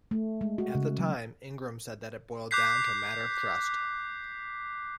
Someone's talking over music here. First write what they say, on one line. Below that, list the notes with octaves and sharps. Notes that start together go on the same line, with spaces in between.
At the time, Ingraham said that it boiled down to a matter of trust.
A3
G#3
F#4
C#3
F#3
D6 F#6 G6 B6 C7